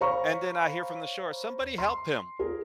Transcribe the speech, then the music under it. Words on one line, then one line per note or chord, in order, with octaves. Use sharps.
and then I hear from the shore, "Somebody help him,"
C5 C#5 F5 A#5 B5 C#6
C6
F4 G#4 A#4